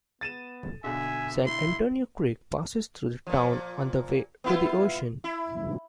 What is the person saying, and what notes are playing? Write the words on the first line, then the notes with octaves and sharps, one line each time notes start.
San Antonio Creek passes through the town on the way to the ocean.
B3 A6 D#7 E7
B1 D3 E5 G#5
E4 C6
A#2 F3
B3 E4 F4
E4